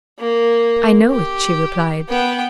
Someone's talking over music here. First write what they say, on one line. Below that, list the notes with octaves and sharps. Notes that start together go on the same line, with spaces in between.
"I know it," she replied.
A#3
G4
B3 G5